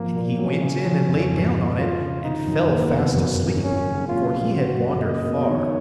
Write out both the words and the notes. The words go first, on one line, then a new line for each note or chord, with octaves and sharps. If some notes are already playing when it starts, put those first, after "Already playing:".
And he went in and lay down on it, and fell fast asleep, for he had wandered far.
Already playing: G#1 F3 A#3
A#2
F#3 C#4
C#3
F3
F2
G#2
G#1
F#3 F4
C#3
D#3 D#4
F#2
D#2 B3
F1
F#2
G#1
F#2 C#4
F#1
A#2 F4
A#1
C#3 F#4
F#2
A#3 D#5
B2
D#3 C#5